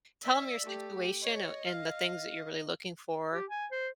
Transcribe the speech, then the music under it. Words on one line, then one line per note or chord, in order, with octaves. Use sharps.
Tell 'em your situation oh and the things that you're really looking for,
D5 E5
A3 G4
C#5 D#5
F5
G4
G#5
C5